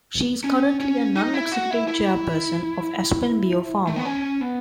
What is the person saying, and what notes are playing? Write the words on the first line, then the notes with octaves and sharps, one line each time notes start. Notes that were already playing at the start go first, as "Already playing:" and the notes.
She is currently a non-executive chairperson of AspenBio Pharma.
C#4
C#4
D#4
E4
F#4
E4
E4
A3
B3
C#4
B3